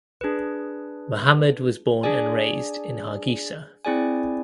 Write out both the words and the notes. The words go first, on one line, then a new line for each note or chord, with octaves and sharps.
Mohamed was born and raised in Hargeisa.
D4 G#4 B4
D4 G#4 D5 G#5
C4 E4 G#4 D5 G#5